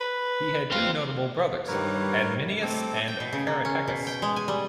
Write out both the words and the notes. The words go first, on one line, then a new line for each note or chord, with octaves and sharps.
He had two notable brothers, Adminius and Caratacus.
B4
C4 F4
G2 D#3 G3 A#4 B4 C#5
A3 C4 A4 D6
G5
B2
C#3
A#3
C#4
B2
G5
G#3
G#5
G3